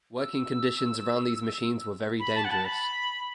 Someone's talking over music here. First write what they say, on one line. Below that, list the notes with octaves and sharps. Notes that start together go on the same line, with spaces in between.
Working conditions around these machines were very dangerous.
E6
B5
A5
F#5
A5
B5